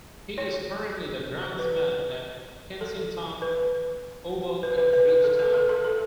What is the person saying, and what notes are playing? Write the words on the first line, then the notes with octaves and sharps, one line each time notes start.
He is currently the groundsman at Kensington Oval in Bridgetown.
C#5
B4
A4
B4
B4
B4
B4
B4
A4
B4
A4
A4
A4